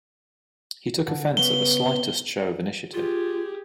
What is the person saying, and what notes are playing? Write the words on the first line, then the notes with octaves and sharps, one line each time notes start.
He took offence at the slightest show of initiative.
D3
C#3 B3 G7
F4 G4 G#4